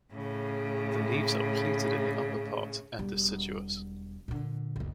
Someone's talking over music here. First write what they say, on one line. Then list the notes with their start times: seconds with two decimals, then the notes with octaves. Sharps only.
The leaves are pleated in the upper part and deciduous.
0.13 A2 C#3
2.99 E1 G3
4.28 A#2 D3
4.76 F#1 C#2